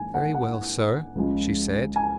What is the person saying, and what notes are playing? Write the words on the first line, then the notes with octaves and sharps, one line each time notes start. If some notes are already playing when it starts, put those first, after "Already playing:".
"Very well, sir!" she said.
Already playing: A#1 G#2 D#3 G#5
F#5
F#5
C#2 C#3 F3 G#3
G#5